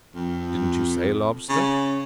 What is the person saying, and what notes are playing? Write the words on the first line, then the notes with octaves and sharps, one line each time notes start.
"Didn't you say lobster?"
F2
C#3